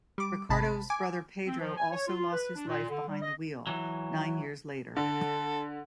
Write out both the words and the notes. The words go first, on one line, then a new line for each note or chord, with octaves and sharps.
Ricardo's brother Pedro also lost his life behind the wheel nine years later.
G3 D6
G#1 C3 A5 B5
G#5 D6
C4
F3
G#5
C#5
F4
B4
D4
A#2
D3
G3
D#5
E3 F#3
D3 A4